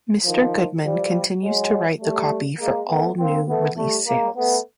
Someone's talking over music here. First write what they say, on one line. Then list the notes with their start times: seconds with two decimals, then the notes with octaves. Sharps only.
Mr. Goodman continues to write the copy for all new release sales.
0.25 D#3 F3
0.83 F3 G3
1.42 F#3 G#3
2.00 G3 A3
2.59 G#3 A#3
2.89 A3 B3
3.18 A#3 C4
3.47 A3 B3
3.77 G3 A3
4.06 G#3 A#3
4.36 A3 B3